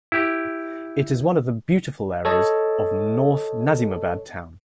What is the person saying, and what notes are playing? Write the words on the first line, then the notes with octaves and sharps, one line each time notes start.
It is one of the beautiful areas of North Nazimabad Town.
E4 G4
A4 C#5 D#5 A5